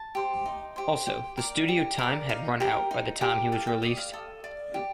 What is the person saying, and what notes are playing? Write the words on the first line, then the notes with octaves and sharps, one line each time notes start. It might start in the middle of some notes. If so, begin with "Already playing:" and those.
Also, the studio time had run out by the time he was released.
Already playing: A5
G4 C5
D#4
G4 C5
G4 G5
A#4 D5
G4
A#4 D5
D#4 F5
G4 A#4
D#4
G4 A#4
A4 F5
G5
D5 D#5
F5
A4 D#6
D5
G4